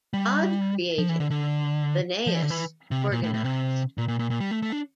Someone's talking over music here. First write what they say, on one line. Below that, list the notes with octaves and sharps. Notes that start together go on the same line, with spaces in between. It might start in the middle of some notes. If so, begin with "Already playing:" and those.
"God created, Linnaeus organized".
G3
F3
E3
D3
D3
F3
E3
D3
E3
C3
A#2
A2
A2
C3
A#2
A#2
A#2
A#2
G3
A3
A3
D4